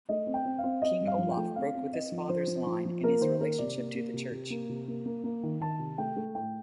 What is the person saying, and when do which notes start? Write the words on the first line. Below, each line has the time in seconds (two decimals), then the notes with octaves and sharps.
King Olaf broke with his father's line in his relationship to the church.
0.09 A3 D#5
0.27 C4
0.34 G5
0.45 C4
0.58 C4 F5
0.82 C4 D#5
1.01 G2
1.08 F5
1.19 F3
1.31 G5
1.37 A3
1.56 C4 F5
1.75 C4
1.92 C4 D#5
2.12 F3
2.29 F3 C5
2.47 F3
2.67 F3
2.85 F3
3.03 A#3 A#4
3.21 D#3 C5
3.40 A#3 A#4
3.58 C3 D5
3.78 A#3
3.95 A#3
4.14 C3
4.32 C3
4.50 A#3
4.69 C3
4.88 A#3
5.06 A#3
5.24 A#3
5.43 D#3
5.61 D#3 A5
5.79 C3
5.98 A3 G5
6.16 A3
6.35 A2 G5